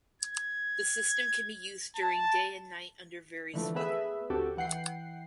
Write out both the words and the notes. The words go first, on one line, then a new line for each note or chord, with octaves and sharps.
The system can be used during day and night under various weather.
G#6
A5
D3 E3 F3 A3
A3 B3 G#4 B4 E5
D2 C4 F#4 G4 A4
E3 F#5 G5 C7